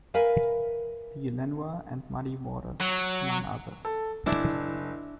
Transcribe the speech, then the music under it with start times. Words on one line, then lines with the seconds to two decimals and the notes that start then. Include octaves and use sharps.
B. Lenoir, and Muddy Waters, among others.
0.14 A#4 B4 E5 F5 G#5
2.81 F#3
3.85 A4
4.26 F#1 D4 E4